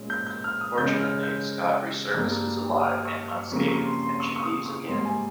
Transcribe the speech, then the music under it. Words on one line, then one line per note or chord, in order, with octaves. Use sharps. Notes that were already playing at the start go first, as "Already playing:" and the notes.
Fortunately, Scott resurfaces alive and unscathed and she leaves again.
Already playing: A#2 G#3 C#4
G6
G6
F6
D#6
C#3 G#3 C#4 G6
F6
G6
G2 G3 A#3
F6
C#6
C#6
F2 C#3 G3 A#3 C#6
C#6
C6
C6
C#6
C#6
D#6
C#6
G#2 G3 A#3 C6
G#5